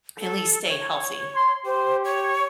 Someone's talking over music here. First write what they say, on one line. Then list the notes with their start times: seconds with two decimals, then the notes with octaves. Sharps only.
at least stay healthy,
0.18 A4
0.68 C#5
1.36 C6
1.66 G4 C5
2.04 C#5